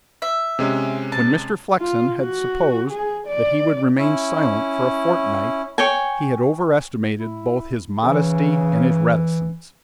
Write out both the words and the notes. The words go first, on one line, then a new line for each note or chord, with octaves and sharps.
When Mr. Flexen had supposed that he would remain silent for a fortnight, he had overestimated both his modesty and his reticence.
E5
C3 G#3 C#4
A5
F4
F#4
G#4
D5
C#4 E4
C#5 G5 G#5
E4
C#3 E3